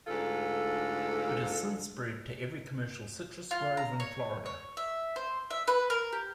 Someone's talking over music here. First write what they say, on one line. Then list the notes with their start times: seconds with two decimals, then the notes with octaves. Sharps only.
It has since spread to every commercial citrus grove in Florida.
0.07 D2 G#2 F4 A4
3.51 F4
3.77 A#5
4.00 C#5
4.46 C#5
4.77 E5
5.16 C5
5.50 E5
5.68 B4
5.90 A#4
6.12 G4